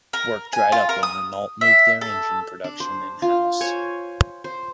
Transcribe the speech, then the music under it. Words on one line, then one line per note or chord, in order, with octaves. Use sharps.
Work dried up when Renault moved their engine production in-house.
A#4
G#5
F4
A#4
D#6
E5
A4
D4
C5
F4
C5 C#5 G#5
C5